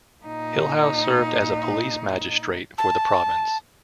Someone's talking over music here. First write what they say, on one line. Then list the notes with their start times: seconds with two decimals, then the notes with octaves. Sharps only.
Hillhouse served as a police magistrate for the province.
0.24 A#2 D#4
2.78 A5